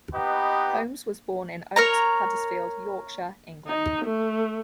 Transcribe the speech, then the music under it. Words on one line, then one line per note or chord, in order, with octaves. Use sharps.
Holmes was born in Oakes, Huddersfield, Yorkshire, England.
B3 D#4 G4 B4 D#5
A#4 C#5 A#5
D#4
A3